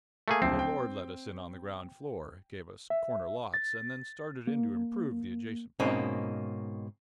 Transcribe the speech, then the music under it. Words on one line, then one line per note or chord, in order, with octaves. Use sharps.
The Lord let us in on the ground floor, gave us corner lots, and then started in to improve the adjacent property.
A3 A#3 G#4
D1 A#1 C4 C7
G5
E5
A6
A#3
G#2 B2 A#3 C4 C#4 D#4